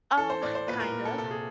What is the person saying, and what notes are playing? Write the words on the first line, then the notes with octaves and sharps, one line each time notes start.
Um, kind of,
E3 A4
C5
A2 D5
C5
A#2 B4
A#4
A#2
A4
C3 A4
G#4